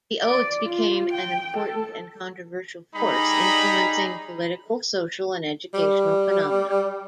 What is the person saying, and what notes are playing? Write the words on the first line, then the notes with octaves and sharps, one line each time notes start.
"The Odes" became an important and controversial force, influencing political, social and educational phenomena.
D5
F4
G5
A4
G3 D#4 G#4 A#5 B5
G3